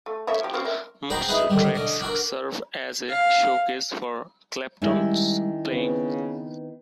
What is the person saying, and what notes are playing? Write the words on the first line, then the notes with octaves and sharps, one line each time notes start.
Most tracks serve as a showcase for Clapton's playing.
A3
A3 C#5 E5
F3 G4
C4 C#4 F#4
A#4 E5
C4 F#4 G#4 G5 A#5 B5
D#4 E4 G#4 B4
D3 D#3 G3
D3 C#4 D#5
D4 F#4 A#4
F5
D#3 G3 G#3 C#4 E4
C#3 B3 C4 B4